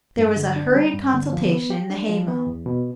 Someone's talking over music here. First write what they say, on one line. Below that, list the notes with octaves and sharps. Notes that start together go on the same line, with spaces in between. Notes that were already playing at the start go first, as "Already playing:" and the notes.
There was a hurried consultation in the hay-mow.
G2
D3
D4
G3
G2
D3
F3
B3
G4
D4
F3
B3
E2
B2